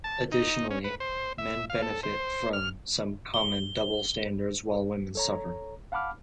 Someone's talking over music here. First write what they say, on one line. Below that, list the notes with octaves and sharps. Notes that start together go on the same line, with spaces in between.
Additionally, men benefit from some common double standards while women suffer.
A5
D#4
C#4
B4
C5
E5
F5
A4
C5
F6
G7
A4 C#5 A#5
F5 F#5 A5 B5 D6 F6